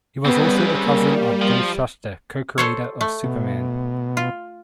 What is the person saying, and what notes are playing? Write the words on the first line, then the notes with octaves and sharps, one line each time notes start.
He was also the cousin of Joe Shuster, co-creator of "Superman".
C#3 G3 B3 C4 B4
G3 A#3
F3
A4 C5 C#5
A3
B2
F4